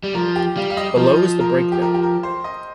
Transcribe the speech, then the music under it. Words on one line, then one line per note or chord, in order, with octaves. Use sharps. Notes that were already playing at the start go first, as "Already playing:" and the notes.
Below is the breakdown.
G3
F3 A#4
G4
G3 F5
F5
D#5
F3 A#4
A#4
G4
A#4
G4
A#4
C5
D#5